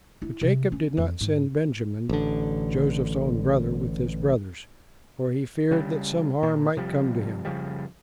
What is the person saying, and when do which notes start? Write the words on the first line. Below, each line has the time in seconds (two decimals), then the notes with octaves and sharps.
But Jacob did not send Benjamin, Joseph's own brother, with his brothers, for he feared that some harm might come to him.
0.22 E4
0.41 C3
0.72 C#4
0.97 F2
1.21 G#2
2.09 A1 D3
5.71 C#3 G3
6.43 A#2
6.77 C3 F3 G3
7.45 F#1 C#3 F3 G3